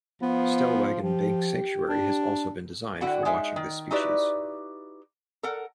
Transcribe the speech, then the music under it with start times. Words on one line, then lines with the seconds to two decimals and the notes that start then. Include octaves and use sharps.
Stellwagen Bank Sanctuary has also been designed for watching this species.
0.22 F3 B3
1.02 F3 G4
1.89 D4
3.01 D3 E4 F#4 F#5 G5
3.25 G#3 D#4 E5
3.56 D#3
3.91 D#4 E4 F#4 G4 B4 D5
5.43 A4 A#4 F#5